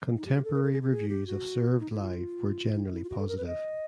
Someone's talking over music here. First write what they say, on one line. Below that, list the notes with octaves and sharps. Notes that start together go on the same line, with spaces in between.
Contemporary reviews of "Served Live" were generally positive.
D#4
G4
G4
A4
A#4
A4
G#4
G4
G#4
G4
F#4
D#4
E4
F4
E4
E4
F4
F#4
A4
A#4
B4
D#5